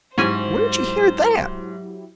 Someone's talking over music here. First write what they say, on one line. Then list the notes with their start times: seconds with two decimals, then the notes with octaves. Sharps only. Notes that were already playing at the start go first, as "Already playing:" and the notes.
"Where'd you hear that?"
0.18 G#2 F#3 C#4 E4 G4 C5 G#5